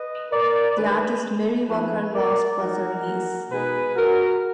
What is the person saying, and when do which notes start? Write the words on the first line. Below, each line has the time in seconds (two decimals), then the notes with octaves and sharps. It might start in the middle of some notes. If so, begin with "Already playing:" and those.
The artist Marie Walker Last was her niece.
Already playing: B4 D#5
0.31 A#4 D5
0.77 D#3 G#3 D4 G#4 B4
1.68 F3 B3 D#4 G#4 B4
2.13 A#4 D5
2.59 F3 G#3 D#4 F#4 A#4
3.50 B2 G#3 D#4 G#4 B4
3.96 F#4 A#4